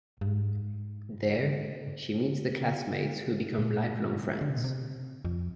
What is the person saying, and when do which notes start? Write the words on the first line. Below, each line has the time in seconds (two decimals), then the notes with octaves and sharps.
There, she meets the classmates who become lifelong friends.
0.21 G2
0.27 G#2
3.59 A#2
4.41 D3
4.49 C3
4.56 A#2
4.64 C3
5.25 F2